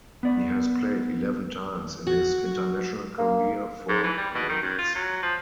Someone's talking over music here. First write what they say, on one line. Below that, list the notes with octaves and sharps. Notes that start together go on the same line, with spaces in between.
He has played eleven times in his international career for Wales.
B3 D5
F#4
A#3
G#2
E3
G3
B2
D#3
F#2
F4
F#3
F3